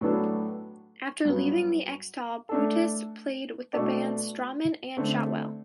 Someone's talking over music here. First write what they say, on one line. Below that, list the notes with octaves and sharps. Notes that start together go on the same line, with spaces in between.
After leaving X-tal, Broustis played with the bands Strawman and Shotwell.
A2 F#3 B3 D4 A4
G2 F#3 B3
A3 D4 A4
B2 A3 D4 A4 D5
D3 A3 C4